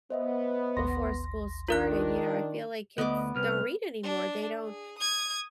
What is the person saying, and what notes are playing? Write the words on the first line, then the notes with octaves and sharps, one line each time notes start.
before school started, you know, I feel like kids don't read anymore, they don't
B3 C5 D#5 E5
A1 D#2 C6 A#6
D#3 D4 F4 A#4 F#6
D2 B3 D#5 D6
C2 B4 F6
D4
G#4
D#6 G#6